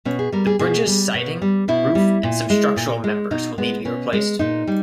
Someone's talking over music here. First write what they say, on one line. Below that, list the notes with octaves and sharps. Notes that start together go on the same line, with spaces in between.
The bridge's siding, roof and some structural members will need to be replaced.
B2 C#4
G#4
G3 A#4
G#4
B2 G#4
G3
B2
G3
B2 E4
G3
A#2
G#3
A#2
G#3
B2 D#4
G#3 B3
B2 C#4
G#3
A#2 D#4
G3